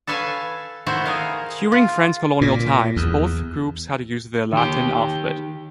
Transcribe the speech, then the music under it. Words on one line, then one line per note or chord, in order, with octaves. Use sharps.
During French colonial times, both groups had to use the Latin alphabet.
A4 B4 C#5 F5 G#5 A5
D#3 A3 E4 F#4 C5
G#4 A#4 F5
F4
A#2
E2
D#3 G4